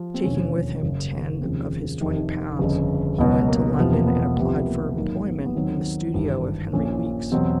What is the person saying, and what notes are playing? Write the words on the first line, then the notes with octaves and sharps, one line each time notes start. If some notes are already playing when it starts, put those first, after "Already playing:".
Taking with him ten of his twenty pounds, he went to London and applied for employment in the studio of Henry Weekes.
Already playing: F3
C4
E1 D#2 D3 F3 C#4
F#1 F#2 C#3 F#3
F1 D#2 C#3 F3 C4
F1 F2 C3 D#3
G1 F2 C#3
C#2 B2 F#3 B3
A#3
E1 E2 C3 F3 B3
A#3
B3
B3
C2 C3 F3 B3
A#3
A1 G#2 D#3 F#3 A#3
B3
B3
D#2 D#3 F#3 C4
G#1 G2 E3
A#1 A#2 F3 C#4
E2 B2 F#3 C4